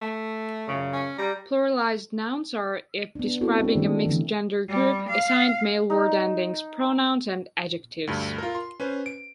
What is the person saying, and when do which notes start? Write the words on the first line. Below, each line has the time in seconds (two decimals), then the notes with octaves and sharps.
Pluralized nouns are, if describing a mixed-gender group, assigned male word-endings, pronouns, and adjectives.
0.01 A3
0.68 F#2 A#2 C#3
0.93 C#4
1.18 G3 A#5
3.15 B3 D4
3.41 B3 C4 E4 F#4 A4
3.60 C4 D4
3.75 D#3 G3 A3 D4
4.06 D3 E3
4.69 G3
5.09 F5
5.90 D#4
8.07 D2 G2
8.38 F4 A#4
8.55 C6
8.80 C#4 B4 C5
9.06 D7